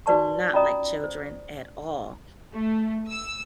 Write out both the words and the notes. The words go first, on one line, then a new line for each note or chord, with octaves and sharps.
did not like children at all.
D#4 F#4 B4 D5 A5 C#6
C#4 F4 D5 D#5 A#5 D#6
C5
A3
E6